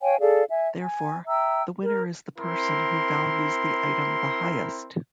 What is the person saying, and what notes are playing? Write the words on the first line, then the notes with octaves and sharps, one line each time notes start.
Therefore, the winner is the person who values the item the highest.
C#5 F5 G5 G#5
G#4 A4 D5 F5
E5 G#5
G#5
E5 G5 A#5 E6
A#4
C4 E4 A#4 C6